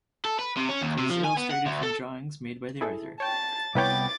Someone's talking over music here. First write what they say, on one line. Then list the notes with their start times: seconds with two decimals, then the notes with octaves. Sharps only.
It is illustrated from drawings made by the author.
0.25 A4
0.39 B4
0.57 C3
0.69 C#4
0.81 D#2
0.98 C3
1.10 F3
1.24 G#5
1.37 B3
1.51 F#5
1.66 D2
1.83 A4
2.81 E4 G#4 A4
3.20 C#5 G5 A5 A6
3.75 C2 B3 E4 B4 C#5 G5 D6 A6